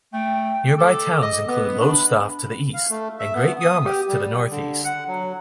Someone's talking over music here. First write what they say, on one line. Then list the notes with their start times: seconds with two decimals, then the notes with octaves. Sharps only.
Nearby towns include Lowestoft to the east and Great Yarmouth to the northeast.
0.13 A3 G5
0.78 A4 D6
1.22 D#5
1.48 B3 B4
1.80 D4 B5
2.74 F5
2.90 A3
3.19 E5
3.34 B3
3.61 D#6
3.86 G4
4.09 G3
4.51 D3
4.84 F#5
5.07 F#3